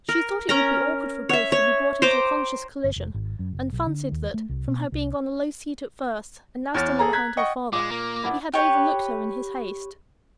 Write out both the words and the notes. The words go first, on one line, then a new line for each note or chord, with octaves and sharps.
She thought it would be awkward for both to be brought into conscious collision; and fancied that, from her being on a low seat at first, and now standing behind her father, he had overlooked her in his haste.
A#4
C#4 A#4 A#5
C#5 E5
C#5
C5 G5 A#5 D6
G1
F1
G#1
F#2
F#1
B1
D3
D#2
A3
C2
B2
C2
E2 C#5 F6 A6
G#4 A4 A#5
A#5 F#6 G#6 B6
D#5 F#5 G5 C#6
A#2 G#3 D6
A#3
B3 D4 E4
G4 B4 C#5